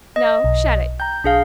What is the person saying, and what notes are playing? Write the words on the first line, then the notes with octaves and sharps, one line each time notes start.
No, shut it.
D#5
B1
G5 A#5 G6
B1 D4 G#4 F5